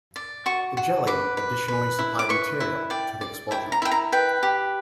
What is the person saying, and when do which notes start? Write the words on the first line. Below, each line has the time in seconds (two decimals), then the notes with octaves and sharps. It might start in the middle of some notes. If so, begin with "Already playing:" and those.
The jelly additionally supplied material to the explosion.
0.16 D5
0.46 F#4 C#6
0.77 F#4
1.07 B4 D6
1.37 B4
1.68 B4
1.99 E4
2.19 D6
2.29 B4 C#6
2.60 E4
2.90 D5 G5
3.21 D5
3.51 E4 G5
3.72 A#5
3.82 E4 G5
3.92 A#5
4.12 B4 G5
4.43 G4